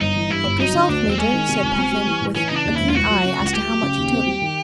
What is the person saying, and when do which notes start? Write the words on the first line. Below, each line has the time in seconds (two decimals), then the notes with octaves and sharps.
"Help yourself, Major," said Puffin, with a keen eye as to how much he took.
0.01 G1 D#4
0.16 E3
0.30 G2 E4
0.45 G1
0.60 F#3 D#4
0.74 D3
0.89 D2 D4
1.04 E1
1.09 C4
1.18 G#3 C#4
1.33 D#3
1.48 C3
1.62 C#2
1.77 C4
1.92 G3
2.07 E3
2.21 A2
2.36 E3 C#4
2.48 D#4
2.51 C#3 D4
2.65 D#2
2.75 E1 E4
2.89 F4
2.94 C#2 F#4
3.09 F#3
3.24 C#3
3.39 C#2
3.47 F#4
3.53 A3 G4
3.68 F#3
3.82 C#3
3.97 D#2
4.11 C4
4.27 G3
4.41 D#3